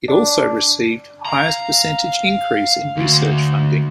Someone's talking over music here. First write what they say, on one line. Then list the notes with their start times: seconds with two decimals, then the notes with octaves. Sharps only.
It also received highest percentage increase in research funding.
0.08 D4
1.26 F5 A#5
2.97 D2